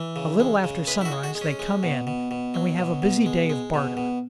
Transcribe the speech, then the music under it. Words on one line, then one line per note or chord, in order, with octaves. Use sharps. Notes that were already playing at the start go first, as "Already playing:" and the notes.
A little after sunrise they come in, and we have a busy day of barter.
Already playing: E3
C#3
G#3
C#3
G#3 B4
E4
F#4
G#3
F#4
G#3
C#4
G#3
B2
B2
B2
F#3
B2
B2
G#3
G#3
B2
B2